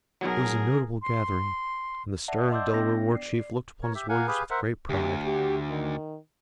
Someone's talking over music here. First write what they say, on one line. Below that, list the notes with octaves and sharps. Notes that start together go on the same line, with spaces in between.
It was a notable gathering, and the stern Delaware war-chief looked upon his warriors with great pride.
B1 F#3 G#4 A#4
C6
D5 E5 F#5 A5
D#5 C6 D6 E6 G6
B3 D4 G5 A#6
D5 C7
A#4 C#5
G4 E5
A#3 F5 F#5 G#5
G4 G#4 B4 F5
A#4 C5 E5 F#5
D2 G4
G4
D#3